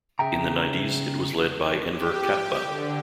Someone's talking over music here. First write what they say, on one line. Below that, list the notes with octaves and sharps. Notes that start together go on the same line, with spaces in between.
In the nineties, it was led by Enver Kapba.
C#3 G#4 E5 G5 A#5
G4
D3